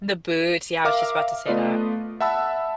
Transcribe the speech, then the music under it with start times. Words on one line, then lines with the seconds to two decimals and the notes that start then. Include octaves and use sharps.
The boots, yeah, I was just about to say that.
0.85 A#4 E5 F5 D6 F6
1.46 A3 B3 F4 B4 D5 D#5
2.21 E5 F#5 A5 B5 E6